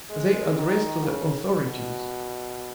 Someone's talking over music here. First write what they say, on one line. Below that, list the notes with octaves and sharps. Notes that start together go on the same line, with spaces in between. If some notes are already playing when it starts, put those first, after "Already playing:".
They addressed to the authorities.
G#3
D#3
C#3
B2